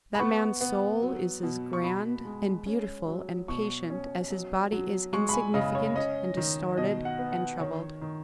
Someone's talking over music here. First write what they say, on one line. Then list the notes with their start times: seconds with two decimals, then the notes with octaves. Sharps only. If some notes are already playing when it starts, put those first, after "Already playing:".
That man's soul is as grand and beautiful and patient as his body is insignificant and distorted and troubled.
0.15 B5
0.19 B3 C#6
0.61 B3
1.02 F#3
1.43 B2
1.73 C#6
1.84 B2 B5
2.25 G#3
2.66 C#4
3.07 F#3
3.48 B2 C#6
3.90 C#4
4.30 F#3
4.72 F#3
5.13 G#3 C#6
5.29 B5
5.33 G#5
5.54 C#3 D#5
5.75 C#5
5.95 C#4 D#5
6.37 D#3
6.77 B2 D#5
7.05 F#5
7.19 B3
7.32 F#5
7.60 D#3 C#5
8.01 D#3